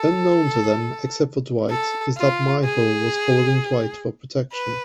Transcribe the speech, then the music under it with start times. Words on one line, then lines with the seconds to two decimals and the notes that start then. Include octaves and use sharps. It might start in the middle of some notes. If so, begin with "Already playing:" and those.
Unknown to them except for Dwight is that Miho was following Dwight for protection.
Already playing: A4
1.70 A4
2.17 F4
2.65 G#4
4.53 B4